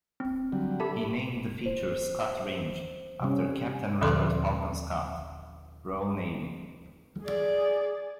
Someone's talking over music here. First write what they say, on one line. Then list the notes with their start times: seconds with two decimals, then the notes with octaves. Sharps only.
He named the feature Scott Range after Captain Robert Falcon Scott, Royal Navy.
0.20 C4
0.52 D3 F#3 G3
0.80 G4 A4 E5 A5 B5
1.66 C5
3.21 C3 G3 C#4
4.01 D#2 A#2 D3 F3 A4 C6
7.24 G#4 D5